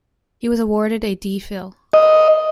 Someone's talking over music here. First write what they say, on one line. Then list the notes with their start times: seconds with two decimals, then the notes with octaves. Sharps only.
He was awarded a D. Phil.
1.93 D#5